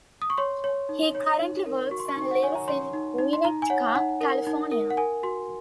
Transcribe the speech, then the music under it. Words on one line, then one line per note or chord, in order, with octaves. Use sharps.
He currently works and lives in Winnetka, California.
D#6
C#6
C#5 C6
C#5
D#4
C#5
D#4
A#4
F#4 C#6
C6
C#6
D#4
F#5
C#5 G#5
A#5
C#5 C6
D#4
D#4
C6
D#4 A#5
G#5
C#5 F#5
D#4 F#5
A#4
D#4
A#4
F#5
A#4 G#5
F#4 C6